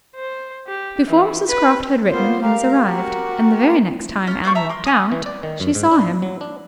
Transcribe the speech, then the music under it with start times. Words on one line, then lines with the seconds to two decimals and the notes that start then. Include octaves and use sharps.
Before Mrs Croft had written, he was arrived, and the very next time Anne walked out, she saw him.
0.16 C5
0.68 G4
1.08 E3
1.49 B4
2.11 A#3 B3 F4 C5
2.42 G4 A#4 F5 A#5
2.88 F#4
4.27 C#4 F4
4.44 F4 C5 D5 C#6
4.55 E5 A5 A#5
4.69 A#4 C6
4.86 G#5 D#6
5.12 E3
5.26 D5
5.43 D#3
5.60 F#2
5.75 G#2
5.91 D4
6.22 F#3
6.41 D4